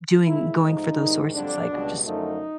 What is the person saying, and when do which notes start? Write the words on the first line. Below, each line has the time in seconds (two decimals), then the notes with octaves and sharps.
doing going for those sources, like just
0.24 A#2 F3 G#3 E4
0.60 G#2 F3 A3 D#4
0.97 G#2 D#3 G3
1.33 F2 D3 G3 D4
1.69 C#2 B2 G3
2.05 F#2 D3 F3 A3 D#4